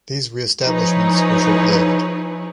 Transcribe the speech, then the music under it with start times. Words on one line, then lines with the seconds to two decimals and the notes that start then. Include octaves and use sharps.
These re-establishments were short lived.
0.65 F3 D#4 E4 G#4 B4 C#5